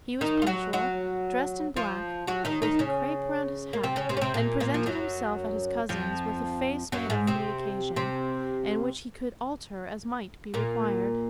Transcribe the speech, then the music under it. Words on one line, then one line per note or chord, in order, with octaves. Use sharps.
He was punctual, dressed in black, with crape around his hat, and presented himself at his cousin's with a face made up for the occasion, and which he could alter as might be required.
D#3 D#4
F4
F#3 F#4
F#3 F#4
F3 F4
F#3 F#4
D#3 D#4
D#3 D#4
C#3 C#4
A#3
C3 C4
C#3 C#4
C3 C4
C#4
C3 C4
A#2 A#3
A#2 A#3
F3
F#2 F#3
F2 F3
F#2 F#3
G#2 G#3
C3 C4
C3 C4
A#2 A#3